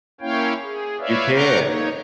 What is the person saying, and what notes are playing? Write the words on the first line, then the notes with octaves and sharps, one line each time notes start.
You can.
A#3 C#4 E4 C#5 F5 G5
G#4
B4 C#5 D5 E5 F5
F#5 A#5 C#6 D6 F6 G6
A#3 D#4 C#5